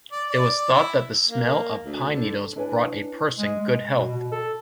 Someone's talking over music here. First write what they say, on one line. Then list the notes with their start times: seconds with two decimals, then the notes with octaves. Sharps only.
It was thought that the smell of pine needles brought a person good health.
0.12 D5
0.30 D5
0.73 E4
1.26 A#3
1.83 D2
2.09 D3
2.56 D4 E4 B4 C#5 G#5
3.38 G#3
3.61 G#3
3.96 B2
4.14 B2
4.32 A4